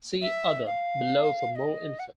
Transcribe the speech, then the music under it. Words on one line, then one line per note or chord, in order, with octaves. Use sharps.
See "Other" below for more info.
E5
F5
D#5
F#5